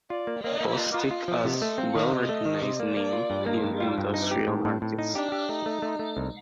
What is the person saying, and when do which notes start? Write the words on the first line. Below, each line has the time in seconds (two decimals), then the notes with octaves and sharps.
Bostik has well recognized name in industrial markets.
0.10 F4 D5
0.27 A#3
0.44 A#3 D#5
0.60 A#3
0.77 F4 D#5
0.94 F4
1.11 F4
1.28 F3
1.44 C3 D#5
1.62 A3
1.78 C4 F5
1.95 D#3
2.12 C3 D#5
2.29 A3
2.45 D#3
2.62 C3
2.80 A#3 D5
2.97 A#3
3.13 F4
3.30 G2
3.46 A#3 D#4
3.64 G2
3.80 D4 F4
3.98 G2
4.14 C4 D#4
4.31 G4
4.48 A2
4.65 A2
4.82 A2
4.99 D#4
5.15 D4 G4
5.32 G4
5.49 A3 D#4
5.66 A3
5.82 A3
5.99 A3
6.17 C2